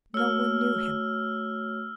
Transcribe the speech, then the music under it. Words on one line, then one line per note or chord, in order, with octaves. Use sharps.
No one knew him.
A3 F#4 C#5 E6 F6